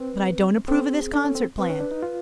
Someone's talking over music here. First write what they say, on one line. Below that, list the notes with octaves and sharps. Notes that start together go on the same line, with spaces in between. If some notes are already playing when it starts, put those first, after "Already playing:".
But I don't approve of this concert plan.
Already playing: C4 B4
C4 A4
G4
G#4
D4 A4
C#4
C4
C4 B4
C#4
D4
D#4
F4